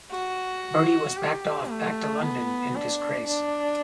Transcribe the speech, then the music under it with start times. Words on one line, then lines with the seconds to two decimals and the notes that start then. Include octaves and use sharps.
Bertie was packed off back to London in disgrace.
0.12 F#4
1.17 G4
1.69 A3
2.22 B3
2.76 D4
3.27 D4